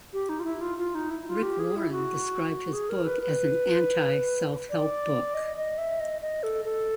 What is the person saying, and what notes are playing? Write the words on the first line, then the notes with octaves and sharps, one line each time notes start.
Rick Warren described his book as an anti-self-help book.
G4
D#4
F4
E4
F4
F4
D#4
E4
F4
G4
G#4
E4
F#4
G#4
A#4
B4
B4
D5
D#5
D#5
E5
D#5
D#5
A4
A4